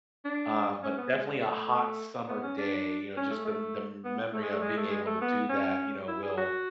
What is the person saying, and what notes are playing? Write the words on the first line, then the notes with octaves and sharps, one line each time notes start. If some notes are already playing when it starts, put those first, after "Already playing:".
um, but definitely a hot summer day, you know, just the m the memory of being able to do that, you know, will
D4
C#4
B3
G#3
A3
B3
C#4
D4
C#4
A3
A3
B3
A3
G#3
A3
G#3
A3
G#3
A3
B3
C#4
E4
G#4
F#4